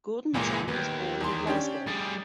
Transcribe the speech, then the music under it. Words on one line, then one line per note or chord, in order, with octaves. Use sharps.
Gordon John was born in Glasgow.
C#2 A#2 E3 G#3
D#2 B3
E2 C6
C#4 D4 G4
G3 G#4 A6